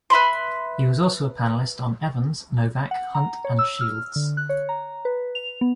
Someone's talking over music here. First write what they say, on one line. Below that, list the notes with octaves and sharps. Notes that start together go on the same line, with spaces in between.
He was also a panelist on Evans, Novak, Hunt, and Shields.
B4 E5 B5 C6
F#5
A#5
C#5
E6
F6
D3
F#6
C#5
A#5
B4
F7
B3